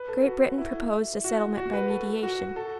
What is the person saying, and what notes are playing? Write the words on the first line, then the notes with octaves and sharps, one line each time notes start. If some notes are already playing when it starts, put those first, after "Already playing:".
Great Britain proposed a settlement by mediation.
Already playing: B4
A4
F#4
E4
F#4
F#4
B4
A4
F#4
A4